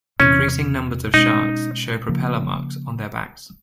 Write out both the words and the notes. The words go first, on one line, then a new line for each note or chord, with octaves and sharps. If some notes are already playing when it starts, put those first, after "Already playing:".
Increasing numbers of sharks show propellor marks on their backs.
E2 C3 E3 C#4
B2 G#3 C#4 D#4
C#3 F3 A#3